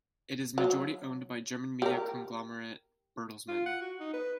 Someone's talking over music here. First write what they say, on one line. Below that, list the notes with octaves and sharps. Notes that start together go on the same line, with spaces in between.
It is majority-owned by German media conglomerate Bertelsmann.
F#3
G4 A#4
F4
F#5
F#4
D#4
B4